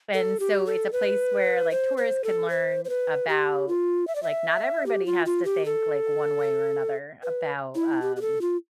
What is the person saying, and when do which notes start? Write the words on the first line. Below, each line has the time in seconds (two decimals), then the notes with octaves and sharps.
And so it's a place where, like, tourists can learn about like, not everybody has to think, like, one way or another about, um,
0.14 A4
0.40 G4
0.67 A4
0.93 B4
1.71 C5
1.98 C5
2.24 A4
2.50 C5
2.85 C5
2.89 B4
3.29 G4
3.68 F4
4.07 E5
4.16 D5
4.23 E5
4.86 G4
5.06 F4
5.26 F4
5.45 G4
5.66 A4
7.23 B4
7.75 E4
8.02 G4
8.16 G4
8.21 A4
8.41 F4